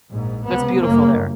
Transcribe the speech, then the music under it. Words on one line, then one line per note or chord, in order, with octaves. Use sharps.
It's beautiful there.
A#1 G#2
C#2 C3 B3
G1 F#2 C#3 A#3